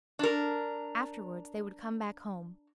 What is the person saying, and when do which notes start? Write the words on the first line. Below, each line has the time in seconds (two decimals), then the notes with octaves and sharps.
Afterwards they would come back home.
0.19 D4 A#4